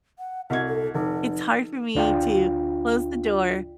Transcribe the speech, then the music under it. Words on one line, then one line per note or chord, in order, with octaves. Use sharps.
it's hard for me to close the door.
F#5
C2 F#4 D#5 G#6
A4
F1 D#4
D2 D4 F4 G5